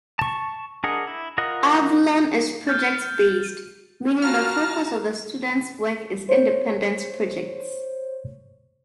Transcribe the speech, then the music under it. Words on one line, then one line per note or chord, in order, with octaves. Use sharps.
Avalon is project-based, meaning the focus of the student's work is independent projects.
A5 C#6
D4 G#4 A#4 D#5 F#5
E4
F4 A#4 D#5 F#5
F6 G6 A6
F4 F#4 A5 A#5 F6
C5 C#5